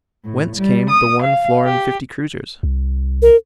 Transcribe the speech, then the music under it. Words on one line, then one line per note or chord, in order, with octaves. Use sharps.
Whence came the one florin fifty kreuzers?
A2
G3
D#6
F5
G4
C2
A#4